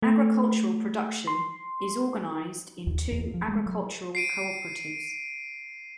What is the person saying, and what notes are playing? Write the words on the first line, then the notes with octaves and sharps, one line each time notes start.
Agricultural production is organised in two agricultural cooperatives.
A3
C6
D#2
E2
F3
G#3
F#3
C7 D7 D#7